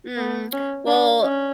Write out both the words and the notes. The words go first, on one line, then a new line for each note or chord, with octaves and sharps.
Mm, well,
B3
C#4
D4
C#4